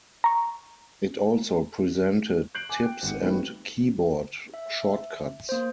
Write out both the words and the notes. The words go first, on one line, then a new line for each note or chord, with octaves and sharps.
It also presented tips and keyboard shortcuts.
A#5 C#6
F#6 G6 C7 D7 F#7
G#5 D6
G5 F#6
G#1 F#5 C#7
D#3 F3 G3 A3 B3 C4
E5
A#3 C5